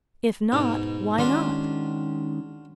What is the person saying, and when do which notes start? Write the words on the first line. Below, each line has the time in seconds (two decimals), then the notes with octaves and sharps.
If not, why not?
0.52 G#2 B2
1.18 D#3 G#3 C#4 D4 F4 F#4